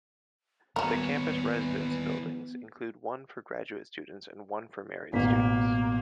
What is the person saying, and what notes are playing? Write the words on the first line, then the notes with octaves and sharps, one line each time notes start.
The campus residence buildings include one for graduate students and one for married students.
D#3 E3 G3 A#3 B3 F#4 A#4 C#5
A1 B2 A#3 B6